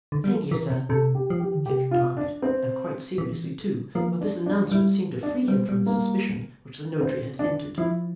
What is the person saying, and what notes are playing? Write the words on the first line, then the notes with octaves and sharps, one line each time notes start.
'Thank you, sir,' Kit replied; and quite seriously too, for this announcement seemed to free him from the suspicion which the Notary had hinted.
D3
G3
F3
E3 A#4
C3
C3 A4
G4
F3
E3 G4
D3
C3 G4
F4
D4
C4
E3
F3 A#3
D4
D4
G3 E4
D4
G3 C4
G3
A#3
C4
D4
F3 E4